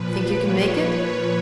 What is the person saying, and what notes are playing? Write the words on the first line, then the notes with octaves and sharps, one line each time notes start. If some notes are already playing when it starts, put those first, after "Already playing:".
"Think you can make it?"
Already playing: A#2 F3 B4
C#5